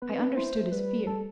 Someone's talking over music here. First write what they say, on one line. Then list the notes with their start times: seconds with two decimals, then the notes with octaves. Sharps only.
I understood his fear.
0.02 B3 B4
0.11 C4
0.19 D4
0.37 E4 C5
0.55 A3
0.72 G3 B4
1.07 A4